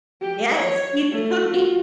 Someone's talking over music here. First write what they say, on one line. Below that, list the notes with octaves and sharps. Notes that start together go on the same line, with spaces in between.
Yes, eat the cookie.
G4
C#5
A3
F4 F#4